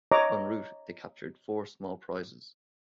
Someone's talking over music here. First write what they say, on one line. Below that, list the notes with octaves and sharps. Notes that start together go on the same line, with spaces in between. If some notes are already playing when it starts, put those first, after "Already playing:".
En route, they captured four small prizes.
C#5 D#5 A#5 D6